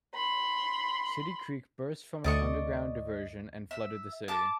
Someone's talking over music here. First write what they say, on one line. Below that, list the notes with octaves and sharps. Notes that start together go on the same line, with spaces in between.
City Creek burst from its underground diversion and flooded the city.
B5 C6
D2 D5 D#5 C#6
E5
A5 D6